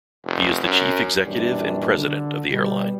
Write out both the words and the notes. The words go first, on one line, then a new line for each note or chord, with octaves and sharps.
He is the Chief Executive and President of the airline.
F1
F#2
F#2 A#2 E3 F#3 G3 D4
D3
B2 G3